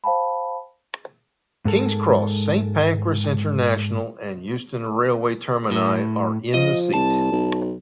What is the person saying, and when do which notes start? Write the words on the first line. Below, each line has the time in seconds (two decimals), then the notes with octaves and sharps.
King's Cross, Saint Pancras International and Euston railway termini are in the seat.
0.04 C5 F5 G5 A5 B5
1.65 G#2 G#3 A4 A#4
5.71 A2
6.54 F3 D#5
6.94 C2 A5
7.32 B1